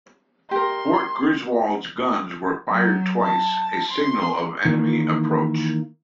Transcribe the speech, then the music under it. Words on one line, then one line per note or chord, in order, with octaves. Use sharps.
Fort Griswold's guns were fired twice, a signal of enemy approach.
G4 A#4 C6
F#3
A5
C6
D#3 E3 A#3